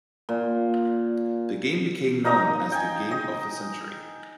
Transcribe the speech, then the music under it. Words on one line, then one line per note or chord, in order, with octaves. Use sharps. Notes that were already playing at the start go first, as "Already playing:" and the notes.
The game became known as the game of the century.
A#2
D#4 D#5 A#5
G5 G#5
D#5